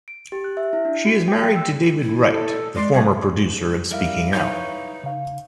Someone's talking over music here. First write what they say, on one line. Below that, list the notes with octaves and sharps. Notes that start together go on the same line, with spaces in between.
She is married to David Wright the former producer of Speaking Out.
D7
G4
F#6
E5
E4
D4
F#4
G5
G5
E6
E4
A4
G#3 D5 C6
G3 G4 G#4 C#5
G3 E4 A#4 E5 F5
D#4 B4 C#5 G6
C#3 F5